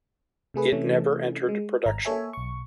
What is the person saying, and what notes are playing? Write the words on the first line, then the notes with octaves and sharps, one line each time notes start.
It never entered production.
C3 A3 G#4 B4
C3 E3 A3 C#4
G#3
G#1 A#5
A#3 A4 C#5 E5 G#5
B1 C#6